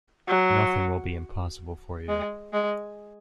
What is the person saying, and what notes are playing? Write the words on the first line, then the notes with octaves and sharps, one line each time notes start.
Nothing will be impossible for you.
F#3
G#3
G#3